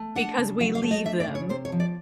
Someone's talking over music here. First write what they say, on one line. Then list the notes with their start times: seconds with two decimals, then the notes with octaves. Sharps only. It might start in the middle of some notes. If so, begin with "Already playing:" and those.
Because we leave them.
Already playing: A3
0.15 D4 F#5
0.38 C#3
0.60 F#3 F5
0.75 F5
0.82 A3
0.91 D#5
1.05 D4 E5
1.20 D5
1.28 C#3
1.35 C#5
1.49 C3 C5
1.65 C#5
1.72 F3
1.80 D5